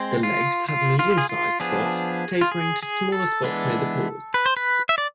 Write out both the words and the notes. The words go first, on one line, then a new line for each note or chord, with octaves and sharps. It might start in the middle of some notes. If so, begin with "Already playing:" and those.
The legs have medium-sized spots tapering to smaller spots near the paws.
Already playing: G#3 C4
F4
F4
F4
G#4
F4
F3 B3 D4 G#4
F4
G#4
G#4
A4
E3 G#3 B3 D4
B4
C5
B4
E5
D5